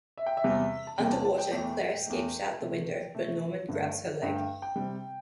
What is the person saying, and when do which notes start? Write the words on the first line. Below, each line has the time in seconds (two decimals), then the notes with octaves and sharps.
Underwater, Claire escapes out the window, but Norman grabs her leg.
0.18 E5
0.26 G5
0.37 E5
0.44 E2 C3 G3
0.87 A5
0.98 E2 C3 G3 G5
1.12 A5
1.25 A5
1.38 G5
1.51 E2 E3 A3 G5
2.06 E2 E3 A3
2.60 C3 A3
3.15 C3 A3
3.68 G2 D3 A3
4.22 G2 D3 A3 G5
4.36 G5
4.62 G5
4.76 C3 G3